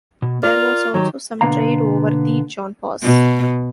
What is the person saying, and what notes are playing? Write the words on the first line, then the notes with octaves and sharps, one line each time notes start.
There was also some trade over the Jaun Pass.
B2
F4 A#4 D5
D#3 F#3 G4
B2 D3 A#3 B3 F5 A#5
B2